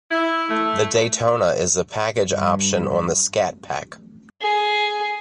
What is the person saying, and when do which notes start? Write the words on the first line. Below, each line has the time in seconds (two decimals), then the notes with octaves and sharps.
The Daytona is a package option on the Scat Pack.
0.11 E4
0.49 A3
2.26 G2
4.42 G#4